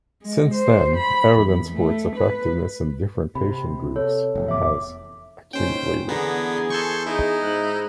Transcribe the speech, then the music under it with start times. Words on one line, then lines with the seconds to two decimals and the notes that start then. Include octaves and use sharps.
Since then, evidence for its effectiveness in different patient groups has accumulated.
0.22 G#3
0.54 C5
0.96 B5
1.34 E2
1.73 A3
2.16 B4
3.35 C3 B5
3.96 A4 C#5
4.35 F1 E2 A2
4.48 E5 D6
5.53 D#2 C#4 C5 G5
6.09 E2 D3 B3 G#4 A#5
6.70 A4 C6 C#6 G6
7.06 D#4 E4 G#4
7.42 G#2 F#6